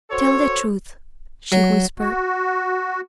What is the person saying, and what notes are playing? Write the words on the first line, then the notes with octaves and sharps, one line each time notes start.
"Tell the truth," she whispered.
F#4 A4 C5 C#5
F#3
F#4